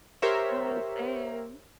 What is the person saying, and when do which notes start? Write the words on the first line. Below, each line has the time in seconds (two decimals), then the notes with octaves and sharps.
Uh, same.
0.22 G4 A#4 C5 C#5 E5